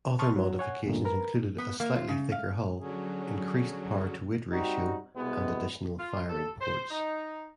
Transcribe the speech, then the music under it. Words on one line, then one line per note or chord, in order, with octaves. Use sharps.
Other modifications included a slightly thicker hull, increased power-to-weight ratio, and additional firing ports.
A5 C6 C#6 D#6 F6
F#3
C#5 F#5 G#5
E2 G2 A#2 D3
A#4 B4
B3
A#3
F4
C#3
F5
D3 F#3 C#4 G#4
G3 C4 D#4 F#4
C2 B2 G#3 B3
F4
A4
C5
D#4